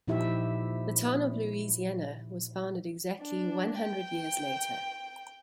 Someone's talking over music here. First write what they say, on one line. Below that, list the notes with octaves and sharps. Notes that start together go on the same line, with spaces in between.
The town in Louisiana was founded exactly one hundred years later.
A#2 F3 D#4 E4 G4 E5
D4
G5